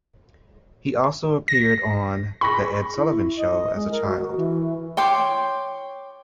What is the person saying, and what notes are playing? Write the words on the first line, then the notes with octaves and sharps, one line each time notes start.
He also appeared on "The Ed Sullivan Show" as a child.
A#6
G#4 B5 C#6 A#6
E4
D#5
G#3
A#4
F#4
E3
C#5 G5 C6 D6